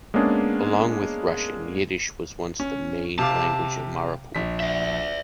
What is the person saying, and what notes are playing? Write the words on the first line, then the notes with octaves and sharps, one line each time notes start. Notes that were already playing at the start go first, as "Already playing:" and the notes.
Along with Russian, Yiddish was once the main language of Mariupol.
G#3 A#3 B3 C#4 D4 G#4
C#4
C3 F5 A5 D6
A#1 B6
D5 E5